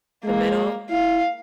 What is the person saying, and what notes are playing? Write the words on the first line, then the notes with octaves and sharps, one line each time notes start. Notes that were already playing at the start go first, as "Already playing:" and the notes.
the middle?
G#3 A#3
E4 F5